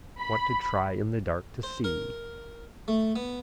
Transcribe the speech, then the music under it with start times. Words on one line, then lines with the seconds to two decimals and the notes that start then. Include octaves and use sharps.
Want to try in the dark to see.
0.20 B5
1.63 C5
1.84 A#4
2.88 A3
3.16 B3